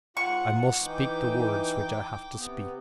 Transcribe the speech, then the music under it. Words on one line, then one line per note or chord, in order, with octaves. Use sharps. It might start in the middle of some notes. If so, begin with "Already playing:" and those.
I must speak the words which I have to speak.
G#2 F4 F#5 C#6
E3 D#4 G5 D6
C3 B3